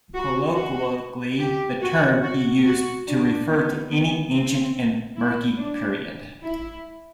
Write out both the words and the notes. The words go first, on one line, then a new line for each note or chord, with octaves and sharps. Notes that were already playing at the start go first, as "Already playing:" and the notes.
Colloquially, the term is used to refer to any ancient and murky period.
F#4
F#4
G4
F#4
F#4
F#4
D4
B3
B3
C4
E4
D4
E4